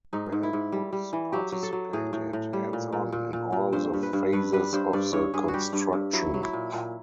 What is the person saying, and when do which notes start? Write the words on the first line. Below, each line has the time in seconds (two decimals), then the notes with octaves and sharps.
Balthus participated "hands on" in all the phases of the construction.
0.13 G#2 D#4
0.32 G#2
0.43 E4
0.53 G#2
0.72 G3
0.92 G3
1.13 E3
1.32 F#3 G4
1.52 F#3
1.63 A4
1.73 F#3
1.93 A2 G#4
2.13 A2
2.33 A2
2.53 G3
2.73 A#2
2.92 A#2
3.12 A#2
3.33 A#2
3.52 A#2
3.73 G2 C5
3.94 G2
4.03 B4
4.13 G2
4.33 G2 B4
4.53 G3 B4
4.73 G2 C5
4.93 G2 D5
5.13 G2 C#5
5.34 G2 G#4
5.48 F#4
5.53 G3 G4
5.73 G2
5.93 G2
6.13 F#3 E4
6.34 F#3
6.43 E4
6.53 A#2
6.73 A#2